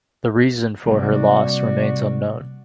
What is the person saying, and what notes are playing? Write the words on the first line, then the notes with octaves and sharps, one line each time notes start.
The reason for her loss remains unknown.
C3 G3 A#3 F#4 D5